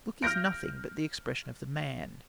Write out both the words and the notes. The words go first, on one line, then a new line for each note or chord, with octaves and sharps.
The book is nothing but the expression of the man.
F6 G6 A#6 D7